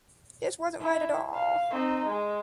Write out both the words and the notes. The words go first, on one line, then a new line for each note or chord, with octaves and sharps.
This wasn’t right at all.
E4
F5
C4 D#4
G#3